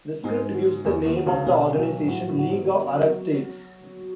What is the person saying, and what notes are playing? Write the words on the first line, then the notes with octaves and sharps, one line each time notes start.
The script gives the name of the organization: "League of Arab States".
G#2 G#3 B3
F#4
E2 E3 B4
D#2 D#3
F#4
C#2 C#3
B1 B2 B3
B1 B2 F#3
G#2
A2 F#4
A2
F#4
G#2